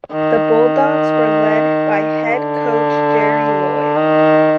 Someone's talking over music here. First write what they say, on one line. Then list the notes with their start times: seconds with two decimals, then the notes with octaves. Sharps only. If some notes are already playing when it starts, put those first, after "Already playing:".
The Bulldogs were led by head coach Jerry Loyd.
0.12 D#3
2.31 D3
3.96 D#3